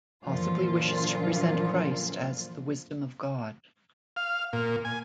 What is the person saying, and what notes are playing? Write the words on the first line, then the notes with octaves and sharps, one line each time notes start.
Possibly wishes to present Christ as "the wisdom of God".
F#2 A#2 D3 E3 F3 F4
F5
A#2
G#5